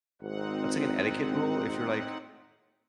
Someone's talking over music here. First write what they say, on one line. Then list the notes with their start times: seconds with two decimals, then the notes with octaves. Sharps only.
that's, like, an etiquette rule, if you're, like
0.22 G#1 C4 D#4 F#5